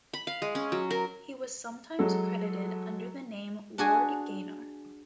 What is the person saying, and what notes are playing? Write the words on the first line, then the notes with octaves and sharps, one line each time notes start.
He was sometimes credited under the name Ward Gaynor.
B5
F5
G#3
C#4
F#3
A#4
F#3 G#3 F#4 A4
D4 F#4 G#4 G#5